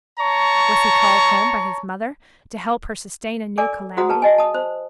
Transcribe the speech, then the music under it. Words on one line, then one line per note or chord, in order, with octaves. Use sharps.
Was he called home by his mother to help her sustain a new calamity?
C#5 A5 A#5 C#6
A4 A#4 D5 G#5 D6
F#4 G#4 C5 F#5 A#5 D#6
G#4 B4 A5
D#5 G#5
A5 D#6
C5